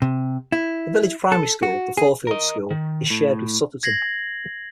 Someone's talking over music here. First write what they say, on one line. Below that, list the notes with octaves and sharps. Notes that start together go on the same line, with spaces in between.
The village primary school, the Fourfields school, is shared with Sutterton.
C3
E4
A4
F#4
G#4
A#4 D#5
D#3
A2
G#6 A#6 C7 F#7